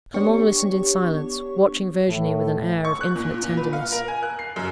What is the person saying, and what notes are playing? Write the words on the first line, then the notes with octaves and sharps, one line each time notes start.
Clement listened in silence, watching Virginie with an air of infinite tenderness.
B3 D4 G4 C#5 C#6
A2
C#6
F#6
A#2
A#2
B4
F5
A#4
G#5
F#6
C7
F#2